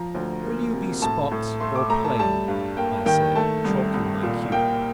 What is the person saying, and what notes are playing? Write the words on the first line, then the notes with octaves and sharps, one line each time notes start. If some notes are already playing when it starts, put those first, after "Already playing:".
"Will you be spot or plain?" I said, chalking my cue.
Already playing: F3 A#5
D2
A#3
C3
A2 A5
A2
A3 C6
D6
A3 A#5
A5
G3 A5
G2
A#3 G5
D#3 G5
A3 A5
C2
C2
A#2
A#3 G5